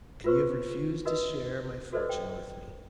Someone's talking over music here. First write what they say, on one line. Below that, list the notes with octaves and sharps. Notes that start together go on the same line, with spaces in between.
"And you have refused to share my fortune with me."
F4 F#4 B4 C5 C#6
D#4 F#4 A#4 B4 D#5
F#4 A4 B4 C5 D5 D#5
G5